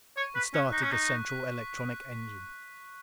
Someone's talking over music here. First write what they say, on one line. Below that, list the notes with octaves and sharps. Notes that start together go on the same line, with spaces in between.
And started the central electronic engine.
C#5 C#6
B4 B6
C#4 F#6
D#4 F#6
C#4
D#4 C#6
C#6
B6